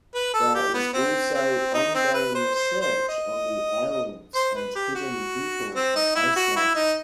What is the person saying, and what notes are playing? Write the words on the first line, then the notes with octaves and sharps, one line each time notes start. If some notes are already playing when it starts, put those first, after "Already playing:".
There is also ongoing research on the elves and hidden people of Iceland.
B4
A4
G4
B3
C4
C4
D#4
C4
B4
C5
C5
C5
D#5
C5
B4
G4
F#4
C4
D#4
E4
F#4
E4
D#4